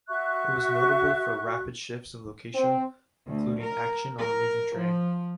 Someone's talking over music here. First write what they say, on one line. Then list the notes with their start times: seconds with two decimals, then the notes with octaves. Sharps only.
It was notable for rapid shifts of location, including action on a moving train.
0.08 F#4 E5 C#6 F#6
2.55 C4
3.27 D2
3.60 A#4
4.18 A#4
4.76 F3